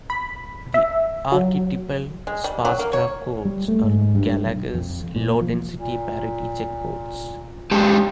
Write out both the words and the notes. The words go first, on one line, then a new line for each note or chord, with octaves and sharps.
The archetypal sparse-graph codes are Gallager's low-density parity-check codes.
B5
E5
F#3
G#3
G3
F#3
A#3
C#5
G3
A3
G#2
G2
B1
F2
A#2
F3
A#2
G#3 G4 A5